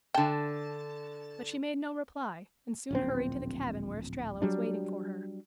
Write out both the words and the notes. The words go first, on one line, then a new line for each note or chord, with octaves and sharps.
But she made no reply, and soon hurried to the cabin where Estralla was waiting for her.
D3 G5 A5
D1 A#1 C4
F#3 G3 D4